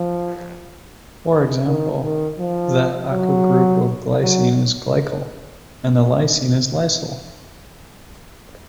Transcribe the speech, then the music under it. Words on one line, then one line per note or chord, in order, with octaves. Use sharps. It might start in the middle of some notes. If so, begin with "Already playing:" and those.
For example, the acyl group of glycine is glycyl, and of lysine is lysyl.
Already playing: F3
D#3
D#3
F3
F#3
F#3